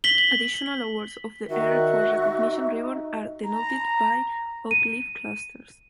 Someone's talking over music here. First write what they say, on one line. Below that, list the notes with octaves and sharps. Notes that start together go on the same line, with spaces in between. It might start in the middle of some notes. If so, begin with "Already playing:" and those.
Additional awards of the Air Force Recognition Ribbon are denoted by oak leaf clusters.
B6 F#7 G7
D#3 F#4 E5
D#4
A#5
D#7